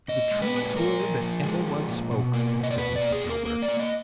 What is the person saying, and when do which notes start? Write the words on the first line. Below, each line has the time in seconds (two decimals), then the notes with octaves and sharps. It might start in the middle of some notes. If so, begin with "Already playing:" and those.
"It's the truest word that ever was spoke," said Mrs. Dilber.
0.08 A#2 D#5
0.31 G#3
0.42 B4
0.54 A#2
0.76 A#2 A#4
0.99 F3
1.21 F3
1.43 G#3
1.66 F3
1.88 A#2
2.11 B2
2.34 A#3
2.56 B2
2.63 D#5
2.71 D5
2.78 B2 B4
2.96 D5
3.01 A#3
3.12 G#4
3.23 A#3
3.29 A#4
3.46 A#3 A#4
3.62 D5
3.68 A#3
3.79 D#5